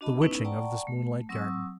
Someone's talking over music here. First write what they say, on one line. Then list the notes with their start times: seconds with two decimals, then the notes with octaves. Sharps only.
The witching of this moonlit garden!
0.01 D4 F#4 D#5 A5 B5
0.22 B3 C#4 D#4 E4 B4
0.45 D5 F#5 G5 A5 A#5 C#6
0.87 A3
1.29 F#3 C4 C#6 D#6 E6